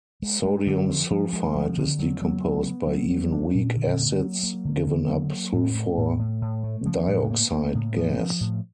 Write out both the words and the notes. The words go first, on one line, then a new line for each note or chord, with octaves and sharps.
Sodium sulfite is decomposed by even weak acids, giving up sulfur dioxide gas.
G#3
G#3
D3
F3
F3
G#3
F3
D3
F#3
F#3
B3
B3
F#3
F#3
D4
A#2
D3
A#3
F#3
A#3
D3
D3
F#3
A#3
A2
A3
A2
A2
A2
A3
F3
A2
A#3
A#3
A2
F3
F3
A2